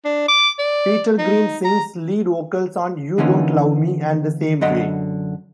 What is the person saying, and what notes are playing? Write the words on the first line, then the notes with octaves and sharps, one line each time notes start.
Peter Green sings lead vocals on "You Don't Love Me" and "The Same Way".
D4
D6
D5
D#4
A#5
D3 E3 A#3 C#4 D#4
F#2 D3 D#5 F#5